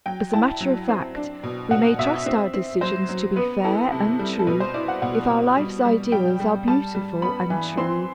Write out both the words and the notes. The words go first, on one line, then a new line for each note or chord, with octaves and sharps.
As a matter of fact, we may trust our decisions to be fair and true if our life's ideals are beautiful and true.
F#3 G5
E4 A5
F#3
C4
D4
B2
B2 F#5
B2 E5
C4
C4
F#3 C5
F#3
B3 B4
E4 A4
C3
G3
A4
B2 B4
C5
E4 D5
F#5
B2 F#5
B2
G3
G3
G3 G5
G3
G3 A5
G3
B3 B5
E3
C4 C6